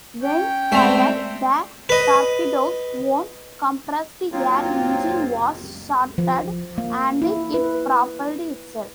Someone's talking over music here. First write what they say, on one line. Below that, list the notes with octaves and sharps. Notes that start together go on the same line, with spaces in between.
When fired, the torpedo's own compressed air engine was started and it propelled itself.
C#4 G5
G#3 A3 C4 D5 F7
B4 D#5
D#3 F#3 A#3 C4 F4
F3
A#3
E4
B4